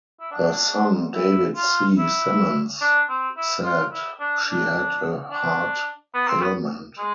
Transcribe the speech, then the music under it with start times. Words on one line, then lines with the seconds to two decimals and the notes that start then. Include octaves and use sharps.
Her son, David C. Simmons said she had a heart ailment.
0.21 E4
0.31 D4
1.15 E4
1.56 F4
1.98 E4
2.81 D4
3.09 C4
3.37 E4
3.64 F4
3.92 E4
4.20 D4
4.49 D4
5.31 D4
6.15 B3
6.28 C4
6.41 B3
6.98 G#3